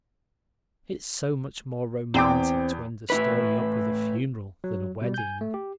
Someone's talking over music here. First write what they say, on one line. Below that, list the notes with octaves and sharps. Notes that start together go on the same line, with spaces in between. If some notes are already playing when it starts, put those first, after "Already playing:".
It's so much more romantic to end a story up with a funeral than a wedding.
E2 C4 G5 D6
A2 E4 B4
F#3
B2 G3
G#5 G6
A3
G4